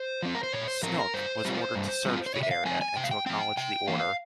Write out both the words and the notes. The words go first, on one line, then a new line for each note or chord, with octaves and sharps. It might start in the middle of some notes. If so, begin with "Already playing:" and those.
"Snook" was ordered to search the area and to acknowledge the order.
Already playing: C5
F3 C4
A#4
C5
A#2 C#5
C5
F3 C4 A#4
A#4
G2 C5
G3 C4 F4
G2
G3 C4 F4
C5
C3 C#5
E5
F5
F3 C4 G#5
G#5
C3 G5
F5
G5
F3 C4 G5
C3 G5
E3 A#3 F5